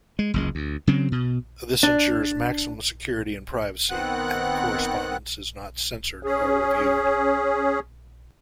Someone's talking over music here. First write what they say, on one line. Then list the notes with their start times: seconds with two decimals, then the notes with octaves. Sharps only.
This ensures maximum security and privacy and the correspondence is not censored or reviewed.
0.19 G#3
0.34 F#1 C#2 G#3
0.55 D2
0.87 C#3 F#3 C4
1.12 B2
1.83 D4
3.90 D#3 B3 C4 F#5 F#6
6.23 C#4 G#4